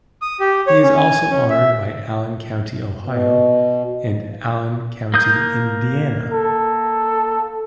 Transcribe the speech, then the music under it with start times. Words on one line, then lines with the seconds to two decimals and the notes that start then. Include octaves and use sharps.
He is also honored by Allen County, Ohio, and Allen County, Indiana.
0.22 D#6
0.40 G4
0.67 C#5
0.83 C#4
0.97 G#5
1.30 C#4
1.50 E5
3.01 B2
5.14 A#3 D#6 G6
6.32 A4